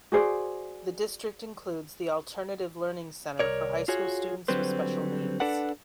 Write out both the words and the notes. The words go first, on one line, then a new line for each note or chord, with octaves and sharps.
The district includes the Alternative Learning Center for high school students with special needs.
F#4 G#4 C5 D5
C2 A#4 C#5 D5
F4 F#4 G#4 C#5
D3 F#3 G3 C4 B4 C5
D4 A4 B4 D5 F#5